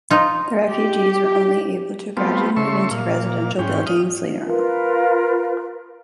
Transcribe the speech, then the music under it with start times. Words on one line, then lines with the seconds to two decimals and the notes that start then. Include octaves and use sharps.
The refugees were only able to gradually move into residential buildings later on.
0.11 D#4 F4
0.68 G4
2.17 G3 A3 B3 C4 F4
2.57 C#3 A3 E5 C6 C#6
2.90 A#2 F5
3.59 G#2 C#4 G5
3.86 D#6 F6
4.47 F4 A#4 B4